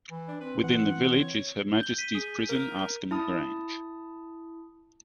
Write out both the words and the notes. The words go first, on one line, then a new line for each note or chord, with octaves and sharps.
Within the village is Her Majesty's Prison Askham Grange.
E3
D4
C4 B4
E3 F#5
C#5
G6 G7
B6 D#7
G#4
A#4
E4 A5 D#6